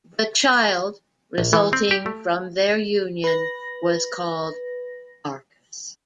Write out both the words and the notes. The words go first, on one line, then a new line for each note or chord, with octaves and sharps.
The child resulting from their union was called Arcas.
A#1
E3
C4
G4
A3
B4 A#6